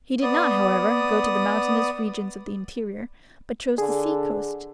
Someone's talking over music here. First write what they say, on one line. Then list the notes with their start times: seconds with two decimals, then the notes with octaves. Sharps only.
He did not, however, go to the mountainous regions of the interior, but chose the sea-coast.
0.22 B3 D5 D#6
3.78 D3 G#4